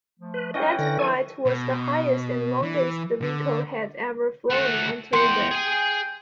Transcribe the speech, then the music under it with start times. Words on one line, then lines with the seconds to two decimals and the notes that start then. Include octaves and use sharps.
That flight was the highest and longest the vehicle had ever flown until then.
0.19 F3 A3
0.34 B4
0.54 E3 C#4 D#5 F#5 G5
0.79 D3 A#6
0.99 F3 D4 A4 C5 G#5
1.46 B2
2.62 E3
3.22 D3
4.50 A3 F#4 F#5
5.13 E2 F#5 G5 C6
5.51 G#4 G#5